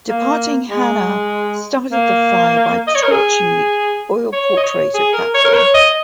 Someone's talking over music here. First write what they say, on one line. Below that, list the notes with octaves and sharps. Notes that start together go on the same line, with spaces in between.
Departing Hannah started the fire by torching the oil portrait of Catherine.
A#3
G#3
A#3
D#5
C#5
A#4
G#4
C#5
D#5
C#5
G#4
A#4
C#5
A#4
C#5
D#5